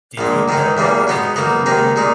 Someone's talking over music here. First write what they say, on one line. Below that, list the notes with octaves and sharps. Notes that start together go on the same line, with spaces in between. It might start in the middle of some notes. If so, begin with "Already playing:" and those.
Did you meddle with it in any way?
A#1 A#2 G#3
G#2 D#3 G#3 D#4
E2 C#3 E3 G3 A#3
B2 G#3 B3 D#4
B1 B2 A#3 D#4
D#2 D#3 G#3 D#4
A#2 G#3 D#4